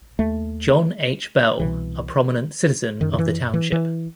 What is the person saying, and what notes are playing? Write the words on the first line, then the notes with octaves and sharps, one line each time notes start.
John H. Bell, a prominent citizen of the township.
D#2 A3
C2 B2 E3
F#2 D#3
D#3
E3
E3
E3